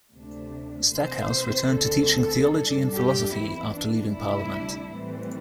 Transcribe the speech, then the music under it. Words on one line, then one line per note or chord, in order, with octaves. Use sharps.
Stackhouse returned to teaching theology and philosophy after leaving parliament.
D2 C3 A3 D4
C3 E3 C4 C5
D2 D3 C4 A4
G2 G3 D4
G4
E2 E3 C4 E4
D4
D2 C3 G3 D4 E4
A2 E3 G3 C4